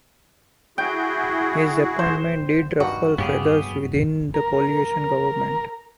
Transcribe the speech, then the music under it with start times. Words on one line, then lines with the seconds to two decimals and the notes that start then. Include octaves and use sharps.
His appointment did ruffle feathers within the coalition government.
0.78 E4 F#4 G#4 G5
1.99 C5
2.80 G2 D#3 F#4
3.18 G2 C#3 B3 G4 G#4
4.34 A#4 A#5